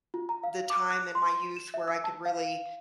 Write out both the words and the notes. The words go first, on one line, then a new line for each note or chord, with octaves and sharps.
the time in my youth where I could really,
F4
A#5
F5
D6
F#6
C6
E7
E5
E6
A5
F5